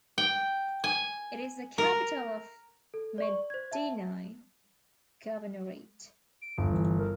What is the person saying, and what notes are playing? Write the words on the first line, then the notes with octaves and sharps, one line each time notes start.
It is the capital of Medenine Governorate.
G5
G#5
A#4
A4
D5 C#6
C5 G#6
E5 A5
D7
G1 G2
E3
A#4